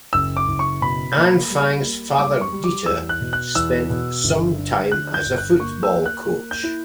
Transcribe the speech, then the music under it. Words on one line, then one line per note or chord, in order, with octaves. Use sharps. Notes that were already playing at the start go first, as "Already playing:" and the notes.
Anfang's father Dieter spent some time as a football coach.
F#1 E6
D6
F#1
C#6
B2 B5
A#3
G3
A#3
G3 D6
C#6
G3
D6
E2 E6
F#6
B2
F#6
E2 E6
B2
G1
D3
D3 F#6
G6
G1
F#6
A#3 C#6
E6
A#3
F#6
A#3
G6
E4